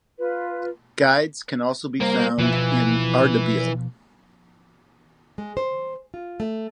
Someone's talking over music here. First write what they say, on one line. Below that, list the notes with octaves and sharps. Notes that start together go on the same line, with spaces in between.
Guides can also be found in Ardabil.
F4 B4
G3 A#3 A#4 C5
B2 E3 F3 F4
G#3
C5
F4
A3